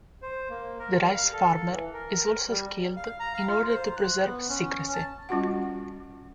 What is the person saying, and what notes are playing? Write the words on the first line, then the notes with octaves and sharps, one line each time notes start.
The rice farmer is also killed in order to preserve secrecy.
C5
A#3
A#4
G3
F5
A4
E3
A#4
G3
F5
A#5
F5
F4
C5
F#6
B3
C#4
A5
G3 C#4 F4 F#4 F#5